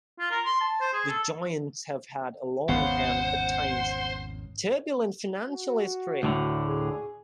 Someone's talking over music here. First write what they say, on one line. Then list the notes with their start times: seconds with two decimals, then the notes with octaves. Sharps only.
The Giants have had a long and, at times, turbulent financial history.
0.20 F4
0.31 A#4
0.45 C6
0.61 A5
0.81 C5
0.93 G#4
1.09 A4
2.69 G#1 E2 C#3 B3 C5 C#5 F5 F#5
5.49 F#4
6.23 D2 A2 D3
6.66 G#4